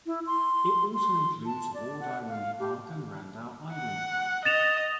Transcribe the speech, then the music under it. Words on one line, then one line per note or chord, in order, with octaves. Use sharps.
It also includes Ward Island Park and Randall Island Park.
E4
C6
C6
A5
D5
F#5
F5
G4
F#5
D#5 A6 E7 F7